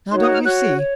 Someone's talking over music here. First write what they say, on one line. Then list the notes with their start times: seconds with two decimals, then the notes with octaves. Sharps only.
'Now, don't you see!
0.10 D#4 F#4 C#5 C6
0.22 D#6
0.33 F6
0.43 F#4 C#5 F#6
0.77 C#5